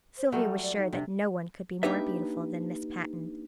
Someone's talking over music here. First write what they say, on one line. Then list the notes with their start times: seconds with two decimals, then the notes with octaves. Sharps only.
Sylvia was sure that no one could be more beautiful than Miss Patten.
0.18 C5
0.32 F#3 G3 A3 A4
0.63 D5
0.77 D#4
0.93 C3 D4
1.83 A#3 D4 D#4 G4 B4 E5